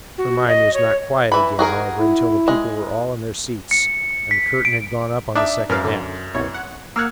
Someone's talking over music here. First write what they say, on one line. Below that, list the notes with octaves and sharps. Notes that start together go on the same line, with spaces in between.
Her mind was not quiet again, however, until the people were all in their seats and the curtain had gone up on the second act.
F#4
D#5
C#5
E3 B5
F#4 G#4 A#4
E4
G#3
C#7
B6
D7
D4 D#4 D5 E5
F#2 A#4 B4 F5
D3
C2 B2 C#5
F#5
A#3 F#5 E6 F6 G#6